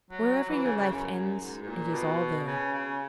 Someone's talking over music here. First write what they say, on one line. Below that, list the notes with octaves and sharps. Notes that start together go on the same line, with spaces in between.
Wherever your life ends, it is all there.
F#3
F#3
E3
C#3
C#3
F#2
G#2
G#2
A#2
B2
C#3
C#3